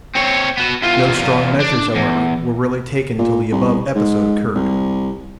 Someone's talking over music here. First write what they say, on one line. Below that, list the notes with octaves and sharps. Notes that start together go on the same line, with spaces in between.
No strong measures, however, were really taken until the above episode occurred.
C4 C#5
B3 F#4
E2 F4
D4
E2
A#2
C2
G#2
C2